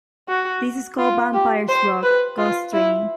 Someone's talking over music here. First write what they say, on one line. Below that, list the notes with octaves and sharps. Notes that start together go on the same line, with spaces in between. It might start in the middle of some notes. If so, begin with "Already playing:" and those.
This is called Vampires Rock: Ghost Train!
F#4
F4
G4
C5
B4
F4
E4